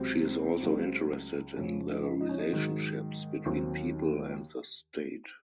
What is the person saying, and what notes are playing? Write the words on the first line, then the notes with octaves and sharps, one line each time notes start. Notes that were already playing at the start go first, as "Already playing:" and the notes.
She is also interested in the relationships between people and the state.
Already playing: C#2 C3 F#3 C4
C#2 C#3 F#3
F2 C#3 F3 C#4
D#4
D#4
C#4
D#4
G#2 D#3 F#3
D#2 D#3 F#3 C4